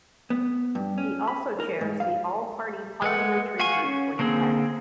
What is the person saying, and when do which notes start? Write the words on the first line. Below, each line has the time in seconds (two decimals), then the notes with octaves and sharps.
He also chairs the All-Party Parliamentary Group for Tibet.
0.30 B3
0.75 G2
0.98 C#4
1.28 B5
1.60 A#4
1.81 G#2
2.00 F5
3.02 G#3 B4 F#5
3.60 F#4 F5 F#5 G#5 C#6
3.84 C#4
4.19 D3 A#3 C4 G#4